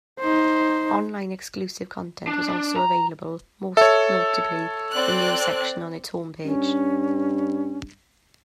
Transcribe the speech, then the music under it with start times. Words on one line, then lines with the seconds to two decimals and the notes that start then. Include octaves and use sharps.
Online exclusive content was also available, most notably the news section on its homepage.
0.20 D#4 C5
2.27 D4
2.49 D4
2.76 A#5
3.77 A4 C#5 E5
4.91 C4 D5 F#6
6.45 G2 C#4